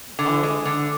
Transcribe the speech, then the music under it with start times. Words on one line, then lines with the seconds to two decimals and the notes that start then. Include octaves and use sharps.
Um, y
0.19 D3
0.43 G#3
0.65 D3